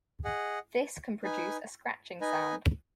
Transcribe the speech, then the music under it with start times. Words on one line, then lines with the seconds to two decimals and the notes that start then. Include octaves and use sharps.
This can produce a scratching sound.
0.25 G#4 D#5 F#5
1.23 D#4 B4 G#5
2.21 D#4 B4 D#5 G#5